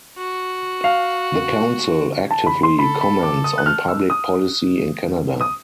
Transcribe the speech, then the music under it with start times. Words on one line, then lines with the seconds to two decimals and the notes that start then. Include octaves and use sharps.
The council actively comments on public policy in Canada.
0.19 F#4
0.84 F5
2.31 A5
2.46 B5
2.63 C6
2.79 A4 B5
3.01 B5
3.23 D6
3.44 D#6
3.58 F#6
3.66 F6
3.88 E6
4.10 D#6
5.41 D#6